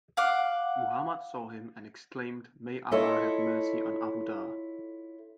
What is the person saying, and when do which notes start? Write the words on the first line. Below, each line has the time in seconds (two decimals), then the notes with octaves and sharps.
Muhammad saw him and exclaimed, May Allah have Mercy on Abu Dhar!
0.17 F5 F#5 D6
2.92 E4 F4 A4 C#5 D#5 E5